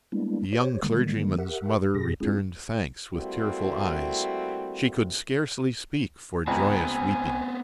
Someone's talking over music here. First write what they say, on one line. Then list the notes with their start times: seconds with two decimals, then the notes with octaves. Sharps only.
The young clergyman's mother returned thanks with tearful eyes; she could scarcely speak for joyous weeping.
0.12 G3 G#3 A#3 B3 D4 E4
0.53 G4 C5 C#5
0.83 D3 D#3 G3 G#3 A#3
1.38 G4 A#4 E5 F#5
1.94 F#2 B2 G4 G#4 A#6
2.20 G#3 C4 D4 E4 F4 G#4
3.13 G3 A3 A#3 C4 E4 F#4
6.47 C#2 B3 C4 G#5 A#5 B5